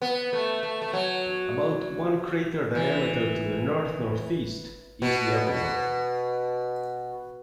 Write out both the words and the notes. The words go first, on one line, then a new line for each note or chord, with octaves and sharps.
About one crater diameter to the north-northeast is Lyapunov.
B3
A3
A3
A3
F#3
E3
B2
B2